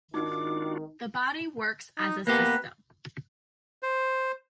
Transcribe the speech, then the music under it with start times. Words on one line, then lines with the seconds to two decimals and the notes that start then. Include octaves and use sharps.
The body works as a system.
0.14 G#1 D#3 D4 D#4 F4 F#4 D6
1.97 D#4
2.27 A#3 B3 G4 B4
3.83 C5